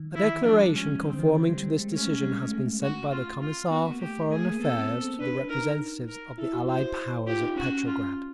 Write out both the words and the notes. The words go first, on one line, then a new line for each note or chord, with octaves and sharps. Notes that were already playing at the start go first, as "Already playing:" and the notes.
A declaration conforming to this decision has been sent by the Commissar for Foreign Affairs to the representatives of the Allied powers at Petrograd.
Already playing: D#3
E3 E4
F3 D4
G3
G#3 C#4
D3 C4
E3
G3
G3
G#3
A3 C#4
A3
G3
G#3
A3
A3
F#4
F4
F4
B3 F#4
A#3
A3 G4
A3 G#4
A#3
B3 A4
C4
A#3
C4
D4 B4
D4
D#4 A#4
A#4
E4 A4
F#4
E4 C5
F4 G4
D#4
C#4 F#4
F4